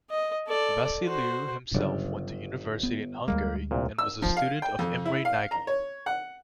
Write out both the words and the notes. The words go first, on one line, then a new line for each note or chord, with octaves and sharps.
Vassiliou himself went to university in Hungary and was a student of Imre Nagy.
D#5
A4 D5
F#4 C5
G1 G2 C#3 F#3 D5
B3
D2 G3 G#3 A#3
C2 A#2
E6
F3
F5
G5
F2
E4
F5
A#5
C#5
F#5